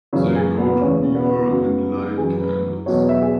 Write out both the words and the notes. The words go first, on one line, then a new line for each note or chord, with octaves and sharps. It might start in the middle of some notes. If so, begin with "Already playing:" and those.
They go to Bihar and light candles.
F#2 C#3 E3 C#4
G#4
B3
E2 C#3 E3 C#4
B3
F#2 C#3 F#3
F#2 E3 G#4
B4
E2 B2 F#3 C#5
E5
G#4